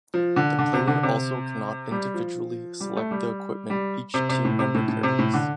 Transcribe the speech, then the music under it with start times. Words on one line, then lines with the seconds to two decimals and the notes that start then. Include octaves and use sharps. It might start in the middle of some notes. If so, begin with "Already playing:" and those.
The player also cannot individually select the equipment each team member carries.
0.14 F3
0.36 D3
0.59 D3
0.74 C3
0.87 D3
1.03 C3
1.91 G3
2.14 F3
2.80 G3
2.96 A3
3.11 G3
3.70 G3
4.14 C3
4.29 C3
4.45 A2
4.59 C3
4.74 A2
4.88 A2
5.03 C3
5.19 A2
5.34 D3